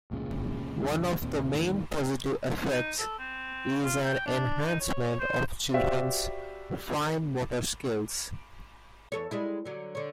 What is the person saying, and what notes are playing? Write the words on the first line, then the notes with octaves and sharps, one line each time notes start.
One of the main positive effects is an enhancement of children's fine motor skills.
F1 C#2 A#2 C#3
E1 C2 G2 D3
D#2 A#2 C4
G1 D#2 A2 D#3
D#4
A4
C4
F4
G5
D4
D#4
C#5
C5
F#4 G4 C5 D5 E5 F5
E2 A4 C#5
G3 G#3 E4
D3 F#3
D3 C#5